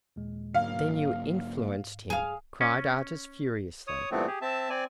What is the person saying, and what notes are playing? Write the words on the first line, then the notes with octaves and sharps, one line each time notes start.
"Then you influenced him," cried Artis furiously.
D#2 A#2 G#3
G#2 D3 F#3 A#3 F5
G#4 F5
C#4
C#5 D#6
G2 A#2 E3 A3 B3 C4
G4 G#4
C4 E5 A5
C4 D5 G#5